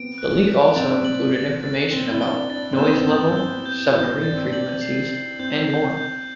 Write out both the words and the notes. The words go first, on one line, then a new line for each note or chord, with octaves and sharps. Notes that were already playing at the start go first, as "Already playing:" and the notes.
The leak also included information about noise levels, submarine frequencies and more.
Already playing: B3 C4 D7
F#6
B6
C4 A6
D4
C4
F#7
A6
A6
C4 G7
E4
G7
D4
D4 A6
C4
B3 E7
C4
B3 G6
C4
G7
C4
G6
E4 G6
D4 A6
C4
D4
F#7
C7
C7
C4 G6
G6
G6